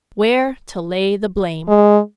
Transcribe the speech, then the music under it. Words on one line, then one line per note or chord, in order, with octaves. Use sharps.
Where to Lay the Blame.
G#3